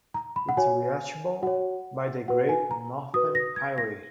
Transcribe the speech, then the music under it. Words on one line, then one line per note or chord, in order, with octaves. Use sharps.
It is reachable by the Great Northern Highway.
A#5
B5
F#5
F#4 C#5 G#5
F#4 C#5 F#5
F#4 B4 F#5
G#5
A#5
F#4 B4 D#6
A#6
G#6
A#6